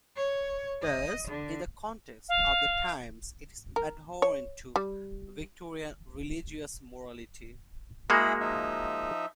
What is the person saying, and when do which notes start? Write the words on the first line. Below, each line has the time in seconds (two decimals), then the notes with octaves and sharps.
Thus, in the context of the times, it is abhorrent to Victorian religious morality.
0.16 C#5
0.82 D#5
1.28 D3
2.29 F5
3.76 A#4
4.22 C#5
4.76 G3
8.10 G#3 A#3 E4 F#4 G#4 B5
8.40 F3 D#4 E5